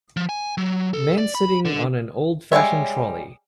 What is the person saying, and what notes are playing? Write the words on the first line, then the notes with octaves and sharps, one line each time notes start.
Man sitting on an old fashion trolley.
F3
G#5
F#3
A4
D5
B5
D3
G3 G#3 D#4 C#5 E5